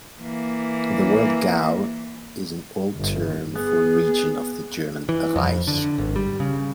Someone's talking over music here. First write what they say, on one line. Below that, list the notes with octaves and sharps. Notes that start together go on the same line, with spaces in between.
The word Gau is an old term for a region of the German "Reich".
E3 A#3
G1
B3 G#4
E3
F2
D3
G#1
G3
C#3